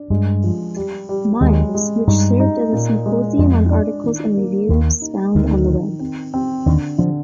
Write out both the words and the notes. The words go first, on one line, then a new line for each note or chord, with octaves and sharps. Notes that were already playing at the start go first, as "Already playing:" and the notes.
Myers, which served as a symposium on articles and reviews found on the web.
Already playing: D4
G2 G#3
F3
G3
G3
D#2 D#3 G#3
G#3
G2 G3 D#4
D#4
A#2
G#3
F2 F3 G#3
D4
D#3
A#3
D#2 D#3 A#3
D#4
D2 D3 D#3
D#3
C4
C4
D#2 D3 D#3
D3 F3